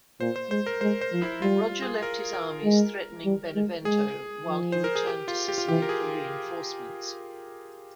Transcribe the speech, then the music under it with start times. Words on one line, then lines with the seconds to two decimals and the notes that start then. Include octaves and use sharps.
Roger left his armies threatening Benevento, while he returned to Sicily for reinforcements.
0.20 A#2 C5
0.36 C5
0.50 G#3 C5
0.66 A#4
0.81 G#3 C5
1.01 C5
1.12 F3
1.22 E4
1.42 G3 F4
1.82 G#4
2.03 A#4
2.34 A#4
2.64 G#3
3.25 G3
3.55 G#3
3.85 G#3 G#4
4.47 F3
4.72 C5
4.84 A#4
4.95 G#4
5.07 G4
5.28 F4
5.48 G4
5.58 F4
5.68 E3 G4
5.82 A#4
5.89 G#4